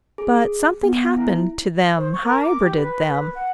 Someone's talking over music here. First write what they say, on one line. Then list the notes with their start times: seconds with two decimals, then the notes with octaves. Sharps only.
But something happened to them, hybrided them.
0.18 G#4
0.83 B3
1.17 E4
1.97 C5
2.13 C#6
2.24 A#4
2.42 D6
2.62 G4
2.76 B4
3.09 B4
3.35 F#5